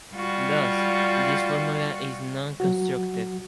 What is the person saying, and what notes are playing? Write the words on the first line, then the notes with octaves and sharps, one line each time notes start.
Thus, this formula is non-constructive.
G3 F4 F#4
F#3 F#4